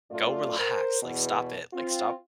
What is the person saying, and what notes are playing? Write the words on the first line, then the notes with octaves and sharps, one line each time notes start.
go relax. Like, stop it. Like, stop
F#2 A3 F4 D5
A#4 C5
E2 B2
C4 F4